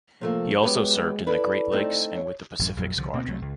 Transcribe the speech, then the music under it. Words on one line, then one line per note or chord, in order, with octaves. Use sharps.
He also served in the Great Lakes and with the Pacific Squadron.
C3 F3 A3 A#3
F#3 G#3 B3 G4
E4 A4 B4 D5
A3 C4 D#4
C#5
A1 F#2
A#1 F2 F#3
C2 D3 F3
D2 B2 A#3 C4
C2 C3 F#3 A3
C#2